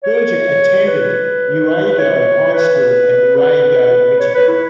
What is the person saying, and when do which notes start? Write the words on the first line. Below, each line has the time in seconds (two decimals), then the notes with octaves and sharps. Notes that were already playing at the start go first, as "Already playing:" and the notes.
Berger attended Newaygo High School in Newaygo, Michigan.
0.03 C#5
0.87 B4
1.69 B4
1.85 B4
1.98 C#5
2.53 B4
3.36 B4
4.20 C#5
4.34 B4
4.48 E4